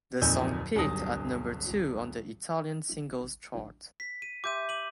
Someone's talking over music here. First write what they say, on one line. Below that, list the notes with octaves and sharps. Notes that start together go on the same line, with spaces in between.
The song peaked at number two on the Italian Singles Chart.
D1 F2 A#2 D#4 E6 G6
D1 B1 G2 A5 D#6 A#6
B6
D#7
G4 C5 E5 D6 G6 D#7
D6 D#7 F#7